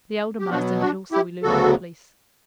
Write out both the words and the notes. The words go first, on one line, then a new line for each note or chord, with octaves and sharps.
The elder Marston had also eluded the police.
G4
B2 F#3 B3 D4 F#4
D4 F#4
E4 G4
D2 C#3 F#3 B3 F#4 A4